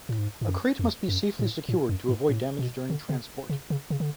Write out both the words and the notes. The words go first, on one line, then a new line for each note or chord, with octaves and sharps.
A crate must be safely secured to avoid damage during transport.
A2
G#2
G#2
F#2
F2
F#2
A2
A2
F#2
G#2
A2
B2
D3
C#3
C#3
C#3
C#3
D3